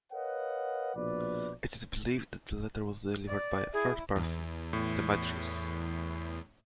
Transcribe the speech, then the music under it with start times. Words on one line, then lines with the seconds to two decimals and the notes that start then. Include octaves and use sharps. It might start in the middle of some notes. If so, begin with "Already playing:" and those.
It is believed that the letter was delivered by a third person, Demetrius.
0.12 A#4 B4 C#5 D#5 F5 F#5
0.96 A#1 B2 F3 B4 D5
3.28 D5
3.73 E4 G#4
4.16 E2
4.73 A2